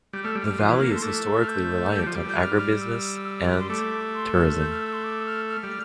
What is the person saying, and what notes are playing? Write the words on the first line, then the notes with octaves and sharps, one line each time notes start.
The Valley is historically reliant on agribusiness and tourism.
G3 G6
A3 F6
G3 E6
F6
G3
F3
E3
A#3
A3
C6
A3 D6
F6
G6
A3
G3
F3
G3
G6
F6
F6
E6
C6
A3 D6
C6
F6
G6
F6
E6
C6
D6
E6
F6
F6
G3